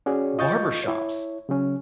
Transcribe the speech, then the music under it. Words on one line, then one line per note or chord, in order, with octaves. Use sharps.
barber shops
C#4 F#4 G#4 C#5 D5
F4 D#5 C#6 G6 A6
E4 C#5
C#3 F#3 C#4